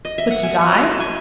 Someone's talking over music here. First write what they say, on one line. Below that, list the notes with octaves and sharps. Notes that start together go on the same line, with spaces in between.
But to die?
D#5
E5
F#5
B2 G#5
C#5
D#5
A3
A5
G#5